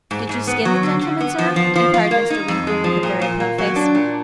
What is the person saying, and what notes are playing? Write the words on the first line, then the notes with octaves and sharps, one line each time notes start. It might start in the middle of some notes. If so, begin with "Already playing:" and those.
'Did you skin the gentleman, Sir?' inquired Mr. Winkle, with a very pale face.
G#2
G#2
B3
F#3
D3
D3
B3
F3
F3
F3
F4
A#3
D#4
F2
G#3
F3
A#2
A#2
A#3
F#3
D4
A#2